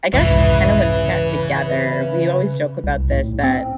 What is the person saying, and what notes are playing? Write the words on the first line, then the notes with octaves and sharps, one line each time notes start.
I guess, kinda when we got together- we always joke about this- that,
C2 F2 G#2 C#3 E3 B4
C2
A2
C4